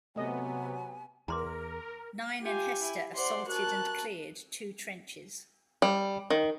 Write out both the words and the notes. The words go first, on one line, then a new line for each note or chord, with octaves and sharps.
Nein and Hester assaulted and cleared two trenches.
C3 F#3 A3 B3 D#5 G#5
E2 A#4 A#5 C6 D6
F4 G4 G#5
E4
C5 D5 F#5 C6
F#4 A#4 A5 F#6
G3
D#3